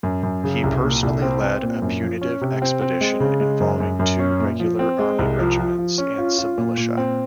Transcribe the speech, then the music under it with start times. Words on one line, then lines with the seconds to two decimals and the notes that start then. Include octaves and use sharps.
He personally led a punitive expedition involving two Regular Army regiments and some militia.
0.03 F#2
0.23 F#2
0.44 C#3
0.64 C2
0.84 A#2
1.03 C2
1.22 C4
1.42 C4
1.63 A#2
1.82 F#2
2.02 F3
2.21 C#4
2.41 C3
2.62 C4
2.81 C4
3.01 G#3
3.20 C#3
3.40 G#3
3.60 F#2
3.80 F#2
3.99 F#2
4.19 C#4
4.40 A#2
4.59 F3
4.79 C4
4.99 G#3
5.19 C2
5.39 F3
5.59 F3
5.78 F3
5.98 C#4
6.18 F4
6.38 F4
6.58 A#2
6.77 A#2
6.97 C4